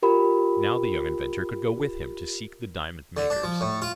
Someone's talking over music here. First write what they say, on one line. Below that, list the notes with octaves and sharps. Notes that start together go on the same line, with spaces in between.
Now the young inventor could go with him to seek the diamond makers.
F4 G4 A#4 B5
D3
D4
F3
A2
F4